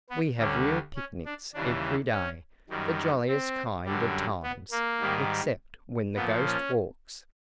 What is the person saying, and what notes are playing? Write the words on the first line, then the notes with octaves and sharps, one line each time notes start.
We have real picnics every day, the jolliest kind of times--except when the ghost walks.
B3
D2 D3 G3 C#4
C#4
D4
D#2 C#3 E3 G3 D4
C#4
F#2 D#3 G3
C4
F#2 D3 G3
B3
A#3
G#2 D#3 G3
A#2 F3 B3
C#4